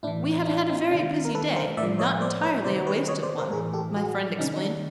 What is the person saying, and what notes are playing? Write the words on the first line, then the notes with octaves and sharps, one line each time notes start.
"We have had a very busy day, and not entirely a wasted one," my friend explained.
A2 E3 D4 E4
D#4
D4 E4
C#4 D#4
C3 D#3 D4
A#4
A4 B4
A#4 C5
A2 D5 E5
F3
C#5 D#5
C5 D5
B4 C#5
C3 D#3 C5 D5
B4 C#5
C#5 D#5
C5 D5
A#4 C5
A2 E3 G#4 A#4
G4 A4
F#4 G#4
C3 D#3 C#4 D#4
D#4
D4